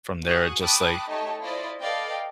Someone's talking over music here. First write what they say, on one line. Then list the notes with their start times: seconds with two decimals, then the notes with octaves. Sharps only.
from there, it just, like
0.24 F#4 G#4 C#6 D#6 F#6
0.59 G5 A5 B5 D6 D#6 F#6
1.09 A3 D#4 G4 C#5 D#5 A5
1.41 E4 F4 C5 D5 D#5
1.80 A4 B4 D5 D#5 F5 G5